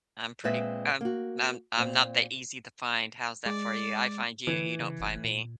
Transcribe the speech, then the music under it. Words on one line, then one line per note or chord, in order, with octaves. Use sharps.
I'm pretty I'm I'm I'm not that easy to find, how's that for you? I find you, you don't find me.
A#2 G#3 C4 B4 E5
A#3 F#4
A#2 C4
G#3 D5
D3 E3
C#3
F#1
A#2